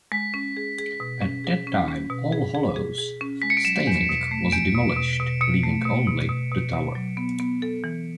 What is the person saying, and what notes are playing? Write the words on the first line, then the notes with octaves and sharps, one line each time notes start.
At that time All Hallows Staining was demolished, leaving only the tower.
G#3 B6
C#4
G#4
G#4
B2
C#4
G#4
C#4
C#4
B2
G#4
G#4
G#4
G#4
C#4
G#3 B6
C#7
D7
F#3 E7
E2
B2
A3
E2 D7
B2
B2
B2
B2 C#7
A3
B2
B2
B2
B2
B2
F#3
B3
B3
A4
E3